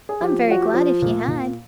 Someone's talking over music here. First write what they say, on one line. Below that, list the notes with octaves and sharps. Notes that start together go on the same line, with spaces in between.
I am very glad if you had.'
G#4
F3 G4
F3 F#4
G4
F3
A#2
A#2